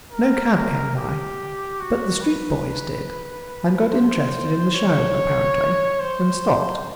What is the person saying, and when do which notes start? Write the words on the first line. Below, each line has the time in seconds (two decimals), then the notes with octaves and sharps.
No cab came by, but the street boys did, and got interested in the show, apparently, and stopped.
0.12 A#4
0.96 G4
1.80 F#4
2.22 B4
3.90 C5
4.74 C#5
6.00 C5